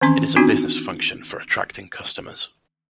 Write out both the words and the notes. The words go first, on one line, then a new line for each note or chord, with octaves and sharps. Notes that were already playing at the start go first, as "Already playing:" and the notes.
It is a business function for attracting customers.
D#3 E3 C4 C#4 C6
B3 C4 D4 D#4 F4 F#4